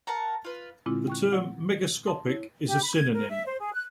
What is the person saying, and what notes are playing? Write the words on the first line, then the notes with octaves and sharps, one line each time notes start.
The term "megascopic" is a synonym.
A#4 F#5 A5 A#5
F4 B4
A#2 D3 G#3 C4 E4 F4
G5 C#6 F#6
F#5
A5 C6 D#6
E4 C#5
G4
B5
G#6
A#4
E5
C5
G#4
F#6